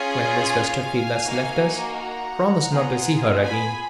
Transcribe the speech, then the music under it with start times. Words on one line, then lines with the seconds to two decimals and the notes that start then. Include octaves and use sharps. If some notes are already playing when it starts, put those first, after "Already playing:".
"When Miss Westerfield has left us, promise not to see her again."
Already playing: C#4 F4 G#4
0.48 F5 G#5
1.22 A#3 D#4 F#4
1.95 F#5 A#5
2.70 B3 F4 G#4
3.43 G#5 B5